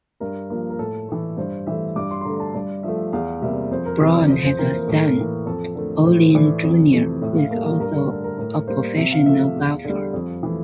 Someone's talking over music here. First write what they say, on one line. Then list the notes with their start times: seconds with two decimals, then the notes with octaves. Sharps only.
Browne has a son, Olin Junior who is also a professional golfer.
0.20 G2 A#4
0.50 F3 A#3
0.70 A#4
0.79 A2 A4
1.09 E3 A3
1.37 G2 C5
1.67 E3 A3 E5
1.96 G2 D6
2.11 C6
2.21 C6
2.25 D3 A3 A#5
2.40 A5
2.54 G2 D5
2.83 F3 A3 E5
3.13 E2 F5
3.42 C3 G3 A#3 E5
3.71 F2 C5
3.86 A#4
4.01 C3 E3
4.15 D5
4.30 F2 C5
4.44 C5
4.58 E3 A#3 A#4
4.73 C5
4.82 A#4
4.88 A2 A4
4.98 A#4
5.17 E3 A#3
5.46 F2 A4
5.75 D3 A3 A#4
6.05 A2 C5
6.34 E3 A3 D5
6.63 F2
6.92 C3 E3 A3
7.22 A2 E5
7.37 F5
7.51 G3 A#3 A4
7.65 A#4
7.80 G2 A#4
7.95 A#4
8.09 D3 A3 A4
8.24 A#4
8.38 A2 A#4
8.67 G3 A#3 C5
8.97 C3 E5
9.12 F5
9.26 F3 A3 E5
9.41 F5
9.56 E2
9.84 D3 G3
10.13 F2
10.43 E3 A3